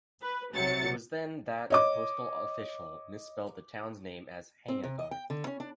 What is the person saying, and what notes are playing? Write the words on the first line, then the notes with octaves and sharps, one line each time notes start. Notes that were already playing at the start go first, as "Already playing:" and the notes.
It was then that a postal official misspelled the town's name as "Henagar".
B4
B1 C3 F#3 A6 C#7
C#5 D#5 D6
C4
C3
D#5
G5
D3
C#4
D4